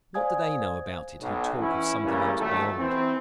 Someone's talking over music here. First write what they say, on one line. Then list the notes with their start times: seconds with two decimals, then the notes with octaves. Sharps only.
What do they know about it who talk of something else beyond?
0.14 C5 D5 F5 G#5 D#6 G#6
1.21 B1
1.60 E3 C#4 E4
2.03 A1 C#3 E3 G3 A#3 C#4
2.39 F#2 A#2 D#3 A3
2.79 E3 C4